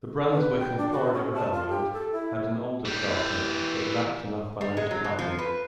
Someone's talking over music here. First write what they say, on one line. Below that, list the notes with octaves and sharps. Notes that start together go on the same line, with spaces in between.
The Brunswick and Florida Railroad had an older charter, but lacked enough financial backing.
B4
G5
D4
F#4
C#4
A5
F4
G4
A4
E4
E3 G4
G3
G#3
F#3
B2
F3
B4